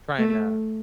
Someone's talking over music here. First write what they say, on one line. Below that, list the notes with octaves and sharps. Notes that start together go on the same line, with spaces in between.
trying to
A3